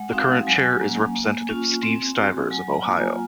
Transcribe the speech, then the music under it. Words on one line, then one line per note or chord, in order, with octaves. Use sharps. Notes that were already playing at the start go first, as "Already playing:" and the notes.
The current chair is Representative Steve Stivers of Ohio.
Already playing: G#3 F#5
C4 D#4 F#4 F5
F#3 G#5
A#3 C#4
A#3
C#4 F4
C4
F#4
F#3 G#5
A#5
A#3 F4
G#5